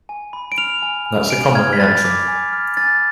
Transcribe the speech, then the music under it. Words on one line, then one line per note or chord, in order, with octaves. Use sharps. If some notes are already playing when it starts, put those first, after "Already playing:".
That's a common reaction.
G#5
B5
D7
F6 F7
G#5
G#5
G#5 D7
F6 G#6
B6
B5 A6
D6
G#5
F6
G#5 A6